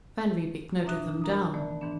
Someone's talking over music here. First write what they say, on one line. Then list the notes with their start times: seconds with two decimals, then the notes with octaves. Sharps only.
Van Riebeek noted them down.
0.84 F#2 B2 D4 E5 D#6 F#6
1.07 D4
1.22 A#4 A#5 D#6
1.54 D#3 E3 A3 B3 D5
1.81 G#2 D#3 E3 B3 D4